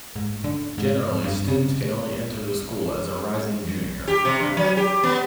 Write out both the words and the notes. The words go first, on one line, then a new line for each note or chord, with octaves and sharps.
Generally, students can only enter the school as a rising junior.
G#2
D3
G#2
G2
C#3
G4
C3
G2
F#3
G4
B3